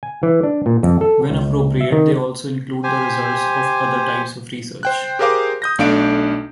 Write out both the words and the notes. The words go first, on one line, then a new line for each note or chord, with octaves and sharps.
When appropriate, they also include the results of other types of research.
G#5
E3
D4
A#2
F2
A4
C#2
E5
D#3
G4 C5 G#5
C5 G5 F#6
G4 G#4 A#4 C5 F5 D6
D#6 G6 A#6
B1 A3 D4 F5 D7